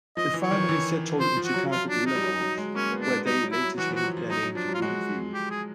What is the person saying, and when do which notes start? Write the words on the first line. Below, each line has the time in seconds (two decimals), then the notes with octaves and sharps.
The family settled in Chicago, Illinois where they later changed their name to Bloomfield.
0.17 F3 D#5
0.34 E3
0.43 C#5
0.51 D#3
0.69 E3
1.20 F3 C5
1.37 F3
1.45 F#4
1.54 F#3
1.72 F4
1.89 D4
2.06 D#4
2.15 G3
2.24 F#3
2.41 F#3
2.57 G#3
2.75 A#3 C#4
2.92 B3
3.01 D4
3.09 B3
3.26 G3 D#4
3.43 F#3
3.52 E4
3.61 F#3
3.78 E3 F#4
3.91 F3
3.96 F#4
4.04 F#3
4.17 F3
4.30 F#3 D#4
4.43 F#3
4.55 F3 D4
4.69 F#3
4.74 F4
4.82 G#3 F#4
5.34 G4
5.51 G#4